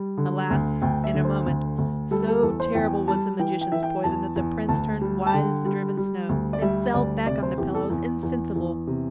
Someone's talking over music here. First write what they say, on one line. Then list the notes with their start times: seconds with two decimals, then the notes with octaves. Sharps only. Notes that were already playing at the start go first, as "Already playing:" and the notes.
Alas, in a moment, so terrible was the magician's poison that the Prince turned white as the driven snow, and fell back on the pillows insensible.
Already playing: G3
0.18 D3
0.50 D2
0.82 D2 G5
1.04 E5
1.14 D3
1.25 C5
1.46 D2
1.78 D2
2.11 G3 A4
2.27 A4
2.43 E2 A4
2.60 C5
2.75 E2 G5
3.08 G3 A5
3.40 E3 G5
3.61 G5
3.72 E3 E5
3.83 G5
4.04 E2 A5
4.36 E2
4.69 D2 A5
5.01 G3
5.27 A5
5.33 D3 G5
5.66 G3
5.97 G3
6.29 D2
6.53 D5
6.62 G3 E5
6.94 D2 D5
7.26 C3 D5
7.43 C5
7.58 E2 G4
7.75 A4
7.90 E2
8.23 E2
8.56 E2
8.87 C3